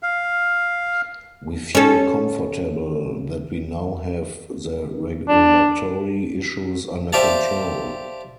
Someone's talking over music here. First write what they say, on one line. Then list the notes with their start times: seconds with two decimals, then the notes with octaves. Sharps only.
We feel comfortable that we now have the regulatory issues under control.
0.03 F5
1.75 C#4 A4
5.28 D4
7.13 G4 C5 D5 E5 F5 A5